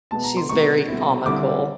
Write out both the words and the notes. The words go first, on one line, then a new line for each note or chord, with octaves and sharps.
She's very comical,
B2 G#3 B3 A5
A#5
C6
B2 G#3 C4 D#4 C#6
B2 G3 C4 E4
D3 G3 C4 E4 D6